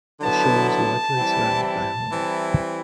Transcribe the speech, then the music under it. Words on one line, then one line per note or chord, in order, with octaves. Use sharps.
The shore is largely surrounded by homes.
D3 F#3 B3 E4 A5
A5
E3 G3 C4 E4
A5
E3 G3 C4 E4